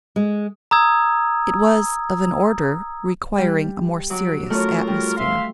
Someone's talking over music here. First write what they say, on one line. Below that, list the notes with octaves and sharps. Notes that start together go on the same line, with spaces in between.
It was of an order requiring a more serious atmosphere.
G#3
A#5 D#6 E6 G#6
G3
F#3 D6
A3 C#4 F4 F#4 A#4
G3
E5 F5 C6